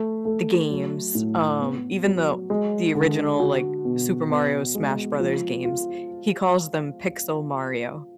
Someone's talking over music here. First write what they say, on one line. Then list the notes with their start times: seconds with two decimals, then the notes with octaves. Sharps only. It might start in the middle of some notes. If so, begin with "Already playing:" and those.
the games, um, even though the original, like, Super Mario Smash Brothers games, he calls them Pixel Mario.
Already playing: A3
0.25 A3
0.70 F#3
1.15 A2
1.60 B3
2.05 F#3
2.50 G#3
2.95 D3
3.40 F#4
3.85 B2
4.30 B3
4.75 G#3
5.20 F3
5.65 F4